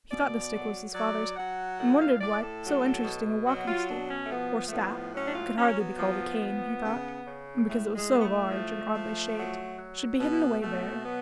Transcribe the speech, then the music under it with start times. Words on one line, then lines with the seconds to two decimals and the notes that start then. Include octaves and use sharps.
He thought the stick was his father's and wondered why so interesting a walking stick--or staff; it could hardly be called a cane, he thought, because it was so large and oddly shaped--should be hidden away there.
0.10 B2 D5
0.53 F#3
0.95 F#3 D5
1.36 F#3 F#5
1.79 A2 F#5
1.99 F5
2.21 A2 D5
2.41 A4
2.64 F#3
3.04 B2
3.47 F#3 F#4
3.68 F4
3.89 B2 D4
4.10 C#4
4.23 A3
4.30 F3 B3
4.69 A3
4.73 A2 B3
5.15 F#3 C#4
5.27 D4
5.36 F4
5.58 F#3 C#4
5.79 B3
5.99 F3
6.41 F3
6.84 C#3
7.26 C#3
7.67 A2 A3
7.95 G#3
8.09 A2
8.18 B3
8.24 A3
8.51 F3
8.93 F3
9.36 F#3
9.77 F#3
10.19 B2 B3
10.61 B2 A3
11.04 F#3 B3